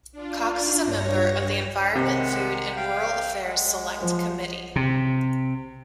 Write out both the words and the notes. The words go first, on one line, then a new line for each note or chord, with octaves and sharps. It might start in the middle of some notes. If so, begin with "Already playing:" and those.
Cox is a member of the Environment, Food and Rural Affairs Select Committee.
D4 F4
G2 C#5 A#6
C3 D#3 G#3 F#5
F5 G5
G#3 F#5
F3
C3